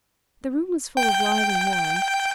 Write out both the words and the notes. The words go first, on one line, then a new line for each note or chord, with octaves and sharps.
The room was full of light and warmth.
G5